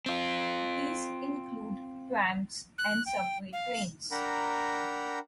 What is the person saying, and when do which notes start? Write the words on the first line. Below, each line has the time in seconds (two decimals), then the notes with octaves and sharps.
These include trams and subway trains.
0.06 C4 F4
2.78 F#6
3.06 G5
3.53 F5
4.12 D4 A#4 F#5 G5 A#5 B5